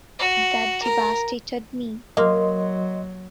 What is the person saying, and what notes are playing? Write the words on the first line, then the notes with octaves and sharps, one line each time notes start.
That devastated me.
F#4
A#4
F#3 A#3 D#5 C6